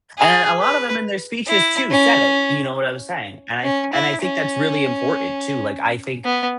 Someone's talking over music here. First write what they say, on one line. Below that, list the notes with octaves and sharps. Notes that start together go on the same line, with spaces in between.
And a lot of them in their speeches too said it, you know what I was saying, and I and I think that's really important too, like I think
G#4
B4
E4
C#4
C#4
E4
C#4
B3